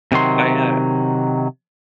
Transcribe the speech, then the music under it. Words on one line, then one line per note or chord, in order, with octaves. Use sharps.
I, uh
C3 D#3 F#3 C6